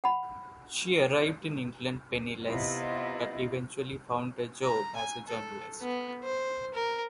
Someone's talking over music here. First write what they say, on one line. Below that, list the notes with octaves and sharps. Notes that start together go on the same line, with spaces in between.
She arrived in England penniless, but eventually found a job as a journalist.
F#5 B5
C3 B3 E4 F4 D#5
A#5
G#5
A4
B3
C5
A#4